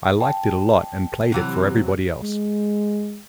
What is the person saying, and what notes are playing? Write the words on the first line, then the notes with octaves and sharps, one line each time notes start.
I liked it a lot and played it for everybody else.
G5 A5
C3 E3 F#3
G#3